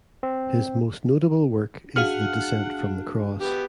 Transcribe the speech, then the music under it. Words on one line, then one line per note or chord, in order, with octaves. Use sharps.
His most notable work is the Descent from the Cross.
C4
D4 F#4 G#4 F5 F#5 F6
B3 G4